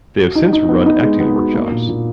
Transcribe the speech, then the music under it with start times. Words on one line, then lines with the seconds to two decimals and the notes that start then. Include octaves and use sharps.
They have since run acting workshops.
0.19 F#4
0.35 D#4
0.53 D#4
0.69 B3
0.86 D#4
1.03 G#3
1.20 B3
1.37 F#4
1.54 A#3
1.72 A#2
1.88 A#2